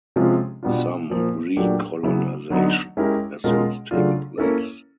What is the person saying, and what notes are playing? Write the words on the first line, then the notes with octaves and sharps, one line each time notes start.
Some recolonisation has since taken place.
C3 F3 G#3 C#4 F4
B2 G3 B3 D4 F4
A#2 F3 A#3
A#2 F#3 A3 D4 G4
C#3 F#3 B3 E4
D3 F#3 B3 D#4
G#3 C#4 E4 G4 A#4
B2 G#3 C#4 F4 A#4
C#3 F#3 A3 D4 F4
A#3 C#4 E4 A4